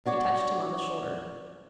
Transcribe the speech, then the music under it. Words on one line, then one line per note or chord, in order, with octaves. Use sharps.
He touched him on the shoulder.
D4 F#4 C#5 D5